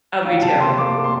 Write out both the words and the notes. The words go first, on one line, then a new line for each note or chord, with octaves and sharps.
Oh, me too.
F3 F5
G5
C3 A5
A#3 C6
A#3 D6
A#3
C6